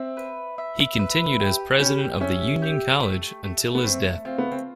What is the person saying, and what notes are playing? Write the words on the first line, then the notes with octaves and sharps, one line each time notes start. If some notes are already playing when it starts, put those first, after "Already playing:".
He continued as president of Union College until his death.
Already playing: C4 E5
B4
E5
B4
G4
C#4 G4
C#4 E5
G4
A3
A3
B3
A3 C4
C4 F4
B3
C4